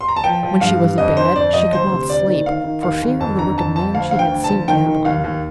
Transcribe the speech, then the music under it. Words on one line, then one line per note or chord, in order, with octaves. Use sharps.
When she was abed she could not sleep for fear of the wicked men she had seen gambling.
C6
A#5
A5
F3 G5
F3
G2 F5
G2
F2 D#5
D3 C5
F2 D5
F3 D#5
D2 C5
C3
D2 D5
D#3
D#3 F5
D#3
D#2 F5
D#2
F2 A5
D3 A#5
F2 A5
F3 A5
D2 F5
D3 F5
G5
D2
A5
F3
D#3 G5
D#3
D#2 F5
D#2